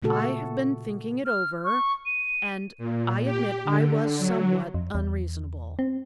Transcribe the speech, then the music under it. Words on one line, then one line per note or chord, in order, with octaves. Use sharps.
I have been thinking it over, and I admit I was somewhat unreasonable.
A#2 C#3 A3 F#4 A4
F6
C#6
D#7
A#2
G4
D3
F#3
F2
E2
C4